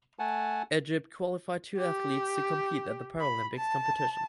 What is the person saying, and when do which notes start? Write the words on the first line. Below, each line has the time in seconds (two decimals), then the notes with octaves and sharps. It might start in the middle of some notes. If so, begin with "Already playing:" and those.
Egypt qualified two athletes to compete at the Paralympics competition.
0.19 A3 F#5 G#5 A5
1.78 G4
3.21 B5
3.58 A5